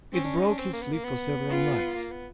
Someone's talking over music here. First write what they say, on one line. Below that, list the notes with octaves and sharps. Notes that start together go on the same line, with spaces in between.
It broke his sleep for several nights.
C4 C#4
D4
D#4
D4
C4
A#3
B3
A#3
B3
F4
A#3
B3